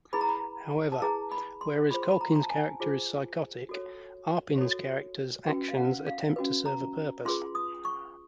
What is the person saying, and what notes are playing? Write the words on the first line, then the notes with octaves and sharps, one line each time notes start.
However, whereas Culkin's character is psychotic, Arpin's character's actions attempt to serve a purpose.
E4 G#4 B4 B5
A#5
B5
A5
E4 G#4 B4 A#5
B5
C6
F4 G#4 C5 B5
C6
B5
A#5
A#5
A5
G#5
F4 G#4 C5
F#4 A4 C#5
F#4 A4 C#5
C#4 F#4 B4 G5
F5
F#5
F5
C#4 F#4 B4
A#5
F4 G#4 B4 C6
D#6
C#6